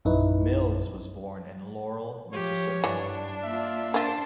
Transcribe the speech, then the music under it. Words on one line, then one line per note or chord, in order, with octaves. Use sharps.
Mills was born in Laurel, Mississippi.
A#1 F#2 D#4 E4 B4
F3 G4 C#5
G2 E3 D4
A#3 F4 E5
A#3 D4 F4 C5 A5